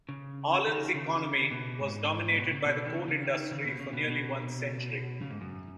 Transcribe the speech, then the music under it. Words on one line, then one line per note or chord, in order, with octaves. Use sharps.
Ahlen's economy was dominated by the coal industry for nearly one century.
C#3
D#3
C#3
B2
G#2
B2
C#3
B2
D#3
C#3
C#3
D#3
C#3
B2
C#3
B2
B2
C#3
G#2
F#2